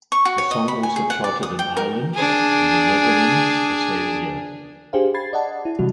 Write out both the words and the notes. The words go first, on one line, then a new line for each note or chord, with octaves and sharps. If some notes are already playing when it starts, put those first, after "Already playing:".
The song also charted in Ireland in the Netherlands the same year.
C#6
F#4
C#5
D#5
B5
G#5
G#4
F#5
D5
D#6
G5
A#4
D4 G#4
D4 G4 G#4 C5 F5
B5 G#6 A6 C7
D5 D#5 F#5 A5
E4
C3 E3 F#3 G3 F#4